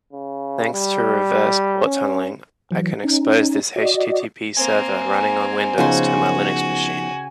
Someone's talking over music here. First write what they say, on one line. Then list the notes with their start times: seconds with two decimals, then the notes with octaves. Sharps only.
Thanks to reverse port tunneling, I can expose this HTTP server running on Windows to my Linux machine.
0.13 C#3
0.73 G3
1.84 C#4
2.71 E3 F#3
3.04 C#4 D#4
3.76 F#4 D5 D#5
4.57 A#3 C4 G#5
5.78 C#3 F3 B3 D#4 F#4 C5 C6